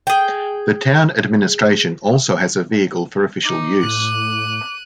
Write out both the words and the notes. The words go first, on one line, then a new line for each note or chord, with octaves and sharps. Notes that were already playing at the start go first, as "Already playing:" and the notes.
The town administration also has a vehicle for official use.
G#4 G5
D#4 D6
A2 F#6 D#7